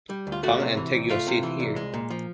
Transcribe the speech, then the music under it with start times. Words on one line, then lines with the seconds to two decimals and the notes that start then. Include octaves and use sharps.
Come and take your seat here.
0.10 G3
0.27 D2
0.32 F4
0.43 A3 F#4
0.60 C3
0.77 E3
0.93 C2
1.09 A3 F4
1.27 C3
1.43 E3
1.60 C2
1.76 G#3
1.94 A#2
2.10 F3